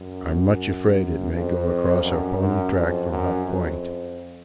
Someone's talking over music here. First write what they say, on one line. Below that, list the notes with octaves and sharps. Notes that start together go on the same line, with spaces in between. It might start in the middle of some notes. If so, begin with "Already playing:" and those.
I'm much afraid it may go across our pony track from Hut Point.
Already playing: F#2
F2
F#2
F#2
F2
F#2
F2